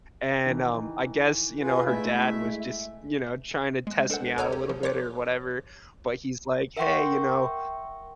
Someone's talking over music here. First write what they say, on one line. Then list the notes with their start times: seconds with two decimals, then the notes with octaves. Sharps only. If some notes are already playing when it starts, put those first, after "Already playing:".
and, um, I guess, you know, her dad was just, you know, trying to test me out, a little bit, or whatever, but he's like, "Hey, you know?
0.46 D#3 E3
1.59 F4 G#4 B4
1.86 G#3 A3 E4 E5
3.87 G#3 F#6
4.10 D4 A4 A#4 C5 F#5
4.37 D2 A4 C#5 G#5 A#5 G6
4.52 G4
4.69 F3
4.83 C#5 C6 D6 F#6
6.77 A#4 E5 F#5 G5 C6 C#6